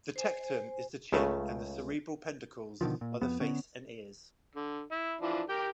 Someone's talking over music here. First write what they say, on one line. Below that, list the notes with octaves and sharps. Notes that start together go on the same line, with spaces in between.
The tectum is the chin and the cerebral peduncles are the face and ears.
C5 G#5
C#2 C#3 A3
B2 D3 D#3 F3
A#2
F2 B3
D3 B3 C#4
D3
E4
E3 F3 D4
G4 A#4 G5